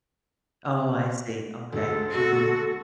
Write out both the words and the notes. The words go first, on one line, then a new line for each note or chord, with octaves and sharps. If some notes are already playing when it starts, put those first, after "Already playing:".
Oh, I see. Okay. Mhm.
D2 G#3 A4
F#4